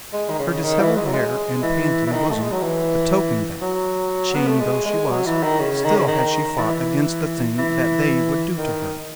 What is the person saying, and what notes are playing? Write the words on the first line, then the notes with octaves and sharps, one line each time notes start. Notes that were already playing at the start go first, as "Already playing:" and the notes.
Her disheveled hair and panting bosom betokened that, chained though she was, still had she fought against the thing that they would do to her.
G#3
D#3
C#3
D#3
E3
G#3
F#3
G#3
E3
E3
D#3
A3
G#3
F#3
E3
F#3
B3
A3
G#3
G#3
F#3
E3
D#3
C#3
D#3
C#3
D#3
E3
E3
D#3